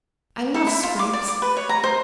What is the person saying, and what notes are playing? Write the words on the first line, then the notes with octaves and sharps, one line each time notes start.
I love scrapes.
A4
E4
F4
D6
D5
D6
B4
C#5
A#5
C5